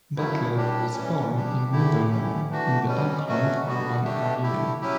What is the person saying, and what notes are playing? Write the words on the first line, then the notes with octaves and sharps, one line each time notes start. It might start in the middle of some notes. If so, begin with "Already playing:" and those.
Butler was born in Middlemore in the Auckland urban area.
F#2 C#3 F#3 A3 E4
A2 G3 D4 G4
A2 E3 G3 C#4
C#3 G3 D4 G4
E2 D3 A3 E4 G4
D3 A3 C#4 E4 G4
E3 A3 D4 F#4
B2 G3 C#4
B2 F#3 A3 C#4 F#4
D3 G3 B3 F#4
D3 A3 D4 G4
D3 A3 E4 G4
F#3 C#4 E4 G4